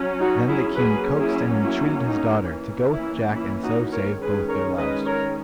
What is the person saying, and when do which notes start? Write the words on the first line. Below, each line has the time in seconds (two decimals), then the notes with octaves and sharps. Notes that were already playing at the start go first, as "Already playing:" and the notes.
Then the King coaxed and entreated his daughter to go with Jack and so save both their lives.
Already playing: F#3 C#4
0.20 D#4 F#4
0.48 E4 G#4
0.77 F#3 A#3 C#4 G#4 B4
1.19 E4 G#4
1.63 E4
2.06 D#4
2.48 E3 A#3 C#4
2.91 E4
3.35 E4
3.63 D#4 F#4
3.92 A#4 C#5
4.20 D#3 G#3 C#4 G#4 B4
4.48 A#4 C#5
4.77 B4 D#5
5.06 A#4 C#5